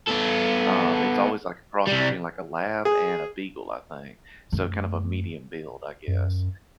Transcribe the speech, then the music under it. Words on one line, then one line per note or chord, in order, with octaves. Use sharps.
Um, it's always like a cross between, like, a lab and a beagle, I think. So kind of a medium build, I guess.
B3 A4
C2 G3
G#4
F#2 A3
F#2